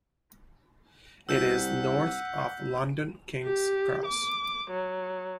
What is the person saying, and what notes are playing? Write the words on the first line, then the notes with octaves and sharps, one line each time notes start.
It is north of London King's Cross.
C2 F#5 E6 G6 B6
G4
D6
F#3